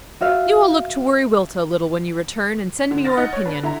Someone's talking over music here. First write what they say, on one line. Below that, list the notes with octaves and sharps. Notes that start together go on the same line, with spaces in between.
You will look to Wiriwilta a little when you return, and send me your opinion.
F#4 E5 F5
D3
C6 F6 A6 A#6
D#4 F#5
C#5
D4 B4
D3 E4 A#5